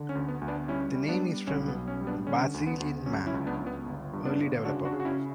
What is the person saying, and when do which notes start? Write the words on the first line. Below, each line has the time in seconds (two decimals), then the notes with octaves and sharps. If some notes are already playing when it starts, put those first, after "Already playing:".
The name is from Barzillian Mann, early developer.
Already playing: D3
0.09 C#4
0.15 D2
0.28 B3
0.42 D2
0.48 B3 D4
0.68 G3 C#4 E4
0.95 G3
1.09 B3 D4
1.22 G3
1.47 B1 C#4
1.68 B3
1.75 B1
1.87 C#4
2.01 G3
2.07 B3 D4
2.27 D3 C#4
2.54 D2
2.67 B3
2.80 D2
3.06 F#3 C#4
3.26 C#4 E4
3.34 C#2
3.46 B3 D4
3.60 C#2
3.66 B3
3.86 G1
4.13 G2
4.25 B3 D4
4.39 G1
4.65 C#3 D4 F#4
4.85 D4 F#4
4.93 C#3
5.00 F#4
5.05 C#4 E4